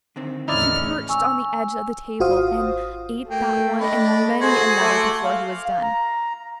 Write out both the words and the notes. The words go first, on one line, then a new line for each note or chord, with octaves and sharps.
He perched on the edge of the table and ate that one and many another before he was done.
D3 D#3 C4
E2 A2 C#4 D#4 E4 D5 F6
G#5 C#6 E6
G#1 F4 F#4 C5 F5 D#6
A3 A#3 G5
D4 D#5 B5
F#4 G#4 A4 C5 F#5 G#6
A3 C6 D6
F5
A#5